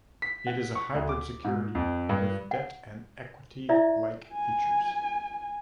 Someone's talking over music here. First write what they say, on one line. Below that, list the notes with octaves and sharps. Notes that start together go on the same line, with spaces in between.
It is a hybrid security with debt- and equity-like features.
B6
F#5
C#6
D2
D6
G#2
F2
G2
F#5
E4 F4 D5 E5
G#5